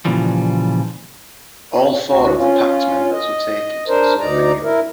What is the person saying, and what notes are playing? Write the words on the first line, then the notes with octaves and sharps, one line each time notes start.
All four of the pact members were taken to the Soviet Union.
A#2 C#3 E3 F3 G3
D2 F#4
C#4 F4
D#5
D4 A#4 C5
D2 D#4 D5 A#5
E4 A#4